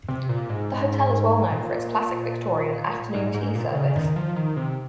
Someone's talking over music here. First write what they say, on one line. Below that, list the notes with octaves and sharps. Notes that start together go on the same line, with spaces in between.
The hotel is well known for its classic Victorian afternoon tea service.
C3
A#2
G#2
A#2
G#2
G#2
A#2
C#3
D#3
F3
D#3
C3